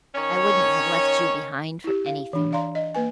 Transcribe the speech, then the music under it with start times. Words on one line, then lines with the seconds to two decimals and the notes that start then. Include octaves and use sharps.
I wouldn't have left you behind for anything!
0.15 D#3 C#4 C#5
1.84 E4 G4
2.06 F5
2.33 E3 D4
2.52 D5 F5 A#5 C6
2.75 D#5
2.95 A#3 B4 G#5